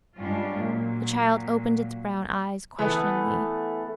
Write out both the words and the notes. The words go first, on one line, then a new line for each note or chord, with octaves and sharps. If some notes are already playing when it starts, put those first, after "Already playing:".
The child opened its brown eyes questioningly.
G2 G3 G#3 C#4 D4 F4
A#2 F#3
E3 A3 B3